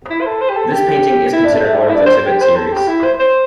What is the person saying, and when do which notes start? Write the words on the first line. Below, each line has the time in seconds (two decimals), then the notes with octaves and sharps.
This painting is considered one of the "Tibet Series".
0.10 E4
0.21 C5
0.26 A4
0.41 C5
0.49 G4
0.57 A4
0.72 G4
1.33 E4
1.44 D4
1.54 A3
1.65 A3
1.74 G3
1.80 A3
1.90 E4
1.95 D4
2.06 C5
2.26 G4
2.42 C5
2.57 A4
2.73 G4
2.88 E4
3.04 C5
3.20 C5